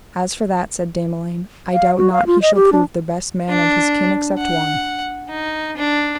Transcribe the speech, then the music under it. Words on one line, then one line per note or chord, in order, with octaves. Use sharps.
As for that, said Dame Elaine, I doubt not he shall prove the best man of his kin except one.
F5
F#4
F5
F4
D#5
G4
D4
D4
F#5
D#4
D4